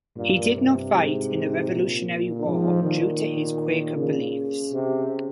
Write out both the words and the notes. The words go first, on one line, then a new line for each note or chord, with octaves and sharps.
He did not fight in the Revolutionary War due to his Quaker beliefs.
G2 A#2
C3
G#2
A#2
G#2 F3
A#2 D#3
C#3
C3